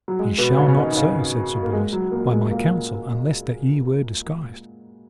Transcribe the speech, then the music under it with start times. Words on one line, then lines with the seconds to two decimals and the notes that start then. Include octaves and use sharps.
Ye shall not so, said Sir Bors, by my counsel, unless that ye were disguised.
0.08 F#3
0.19 G#3
0.38 B2 B3
0.57 C#3 C#4
0.68 C#4
0.77 D#3 D#4
0.91 D#4
0.96 C#3 C#4
1.63 A#3
1.73 G#3
1.93 F#3
2.11 A#2 A#3
2.31 G#3
2.50 A#2 A#3